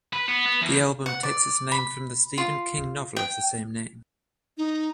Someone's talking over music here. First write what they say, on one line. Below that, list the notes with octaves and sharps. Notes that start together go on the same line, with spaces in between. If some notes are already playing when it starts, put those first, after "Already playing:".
The album takes its name from the Stephen King novel of the same name.
B4
B3
B3
E2
F#5
D5
B5
F4
G5
D#4